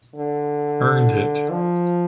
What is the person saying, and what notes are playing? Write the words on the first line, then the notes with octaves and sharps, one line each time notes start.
Earned it!
D3
F3